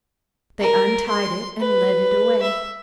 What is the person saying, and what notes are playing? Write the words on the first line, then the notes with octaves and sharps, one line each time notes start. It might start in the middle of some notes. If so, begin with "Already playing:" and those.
They untied it, and led it away.
A#4
C6
B4
E5